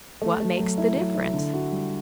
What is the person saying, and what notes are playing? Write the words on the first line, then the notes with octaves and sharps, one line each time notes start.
What makes the difference?
A3
A3
F#3
E4
F#3
E4
D3
F#4
G3